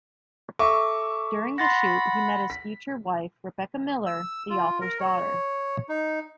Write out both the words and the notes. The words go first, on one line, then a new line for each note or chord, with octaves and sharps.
During the shoot he met his future wife, Rebecca Miller, the author's daughter.
A4 E5 C#6 D6
F#5 B5 C6 A6 A#6
B6
E6
F4
A#4
C#5
D#4